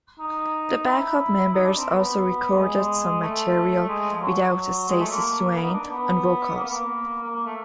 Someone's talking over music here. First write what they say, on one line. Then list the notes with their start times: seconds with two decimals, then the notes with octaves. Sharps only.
The backup members also recorded some material without Stacey Swain on vocals.
0.19 D#4
0.87 E4
1.53 D#4
1.64 D4
1.76 C4
1.87 B3
2.54 G#3
3.21 A3
3.88 G#3
4.11 F3
4.22 F#3
4.89 G#3
5.00 A3
5.11 A#3
5.56 B3
5.64 D#4
5.72 D4
5.89 B3
6.56 A#3
6.64 B3
6.71 A#3
7.23 A#3
7.35 A#3
7.46 A3